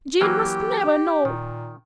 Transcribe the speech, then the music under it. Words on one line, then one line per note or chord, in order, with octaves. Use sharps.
Jane must never know.
E3 F#3 A#3 G4
A#2 D#3